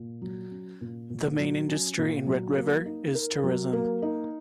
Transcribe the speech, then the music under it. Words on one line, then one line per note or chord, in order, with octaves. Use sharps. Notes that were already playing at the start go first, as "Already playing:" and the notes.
The main industry in Red River is tourism.
Already playing: A#2
F#3
C#4
A#2
A#2
F#3
C#4
A#2
F#3
A#3
D#4
A#4
F#3
A#3
D#4